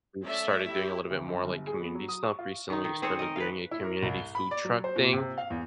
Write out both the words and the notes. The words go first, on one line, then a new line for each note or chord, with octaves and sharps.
we've started doing a little bit more, like, community stuff, recently, we started doing a community food truck thing,
A3 C#4 D5 E5
E4 G4
D2
F#2
G1
G#4
B3
F#3
D#6
C#6
F4
D#3 D#4
D#3
C4 G#4 C5 C#5
A#4 D#5
B4 F5
E4
A#4
C2
G7
B5
D5
F#3
C5
A#2
C3
F5
E2